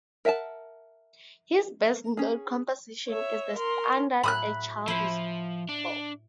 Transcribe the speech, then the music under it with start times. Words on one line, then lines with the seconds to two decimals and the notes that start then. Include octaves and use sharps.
His best-known composition is the standard "A Child Is Born".
0.25 A#4 E5 F#5 G#5 A5
2.17 C#4 G#4
3.08 C#5 E5
3.57 A#4 C6
4.24 A2 F#3 B5 D#6 F#6
4.88 F3 E4 C5
5.69 D4